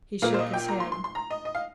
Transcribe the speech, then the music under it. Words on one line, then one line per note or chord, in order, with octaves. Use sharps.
He shook his head.
A#2 A#3 F5
C5
D#5
G5
A#5
C6
C6
C6
A#5
D#5
D#5
F5